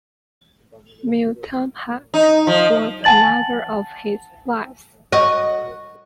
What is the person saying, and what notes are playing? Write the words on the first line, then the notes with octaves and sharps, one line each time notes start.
Mutemhat was another of his wives.
D#4
F3
F#5 G#5 A5 A6 F#7
F#4 D#5 C#6